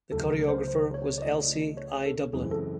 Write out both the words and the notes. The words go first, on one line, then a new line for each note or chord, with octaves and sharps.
The choreographer was Else I. Dublin.
C#2 C#3 F#3 A3 A4
A#4
C5
C5
C#5
D5
C#3 F3 A3 D#5
C#5
A4
F#2 C#3 E3 G#3 C4 G#4
A4